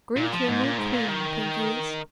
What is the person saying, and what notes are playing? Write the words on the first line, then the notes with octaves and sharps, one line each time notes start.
"Greet your new Queen, Pinkies!"
A#2
F3
G#2
A#2
G#2
A#2
D#3